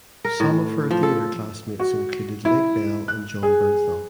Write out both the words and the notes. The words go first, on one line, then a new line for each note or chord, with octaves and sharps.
Some of her theater classmates included Lake Bell and Jon Bernthal.
A#4
A2
F3
A4
F#4
E4
F#6
G#4